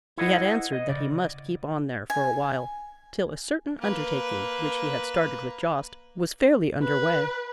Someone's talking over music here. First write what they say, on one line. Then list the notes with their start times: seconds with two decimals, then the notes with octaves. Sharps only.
He had answered that he must keep on there for awhile, till a certain undertaking which he had started with Jost was fairly under way.
0.18 E4 A4 C5 D#5 F5 F#5
0.72 D#5
0.89 C#3 D5
2.10 G#5
3.80 A#3 B4
6.83 B4